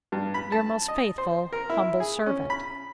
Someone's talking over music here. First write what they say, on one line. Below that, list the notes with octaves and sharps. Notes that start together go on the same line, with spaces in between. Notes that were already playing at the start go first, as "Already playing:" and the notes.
'Your most faithful humble servant.'
G2
B5
A5
D#5
C5
A#4
E4
G#4
C#4
B5